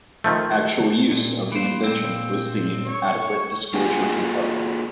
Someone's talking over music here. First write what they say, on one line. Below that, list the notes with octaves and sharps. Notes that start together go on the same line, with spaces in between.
Actual use of the invention was deemed adequate disclosure to the public.
D#3 F3 A3
A#2
E3 A#3 C5
A#2 C4
C#5
A#3 F4 F#4 G#4 G#5